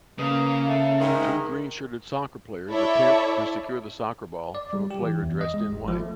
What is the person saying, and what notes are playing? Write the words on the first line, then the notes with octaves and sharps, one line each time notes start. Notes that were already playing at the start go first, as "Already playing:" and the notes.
Two green shirted soccer players attempt to secure the soccer ball from a player dressed in white.
C#3 A#3 B4 D#6
A4 E5
G#2 D#3 A#4
E4 A4 C#5 D5 E5
D5
G3
G4
E3
E2
D#5
G#3
G#1
F3
A3